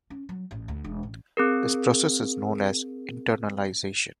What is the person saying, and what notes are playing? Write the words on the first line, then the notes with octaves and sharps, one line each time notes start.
This process is known as internalization.
C#4
F#3
A1
D2
E1
A1
C4 G#4 A#4